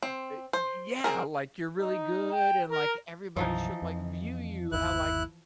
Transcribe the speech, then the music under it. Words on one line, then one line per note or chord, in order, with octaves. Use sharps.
M uh y yeah, like, you're really good, and, like, everybody should, like, view you how, like
C4
C5
C4 G#4 A#4
D#4
G5
A#4
B1 F#2 E3 F3 D#4
F2
G1 D#2 E4 F#6